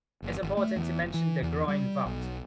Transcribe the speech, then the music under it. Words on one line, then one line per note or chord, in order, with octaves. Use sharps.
It’s important to mention the groin vault.
F#1
G#1
A3
E2
F#1
E3
E2
G3
B1